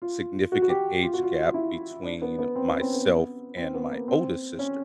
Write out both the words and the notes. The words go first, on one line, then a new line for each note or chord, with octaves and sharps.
significant age gap between myself and my oldest sister,
F4
F#4
F#4
G4
F4
F#4
F4
F4
E4
D4
B3
B3
C4
C4
C#4
C4
B3
B3
C4
B3
A#3
C4
C#4